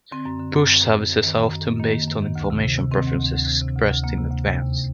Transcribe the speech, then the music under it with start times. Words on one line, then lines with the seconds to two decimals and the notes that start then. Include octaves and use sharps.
Push services are often based on information preferences expressed in advance.
0.12 D3 C4
0.26 F#2
0.39 D3
0.54 F#2
0.68 F#2
0.81 F#2
0.96 F#2
1.10 F#2
1.24 D#3
1.38 F#2
1.51 F#2
1.65 F#2
1.80 D#3 A#3
1.94 D#3
2.08 F#2
2.22 D#3
2.36 D2
2.50 C3
2.64 C3
2.77 C3
2.91 D#3 C4
3.06 D2
3.20 D2
3.33 D2
3.47 C3
3.61 C3
3.76 D2
3.89 D2
4.04 D2 A#3
4.18 C3
4.31 D2
4.45 C3
4.60 D#2